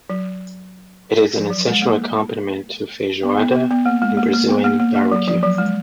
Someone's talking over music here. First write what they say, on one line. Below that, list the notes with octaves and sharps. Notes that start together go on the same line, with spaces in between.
It is an essential accompaniment to "feijoada" and Brazilian barbecue.
F#3
F3
F#3
G#3
A#3
B3
B3
B3
B3
A#3
G#3
A#3
A#3
B3
A#3
A#3
A#3
F#3
F3
F#3
G#3